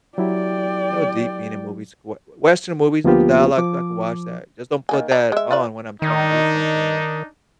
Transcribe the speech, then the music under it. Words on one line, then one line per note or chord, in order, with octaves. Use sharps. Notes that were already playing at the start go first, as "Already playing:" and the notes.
You know, deep meaning movies, w western movies with the dialogue so I can watch that, just don't put that on when I'm trying to do something and
F#3 E4 G4 D5 G5
D2 F3 A#3 B3 F4 G4
F3 D6
D#3 A#3 G#5
D5 A#5
G#3 E5
F4 B4 D5
D#3 D4 D#4